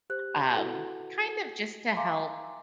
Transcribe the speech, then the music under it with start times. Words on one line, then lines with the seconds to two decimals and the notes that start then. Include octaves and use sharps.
Um, kind of just to help
0.10 G4 C5 F#6
0.54 E4 F#4 A4 B4 F#5
1.97 E5 F5 G#5 A#5 C6 D6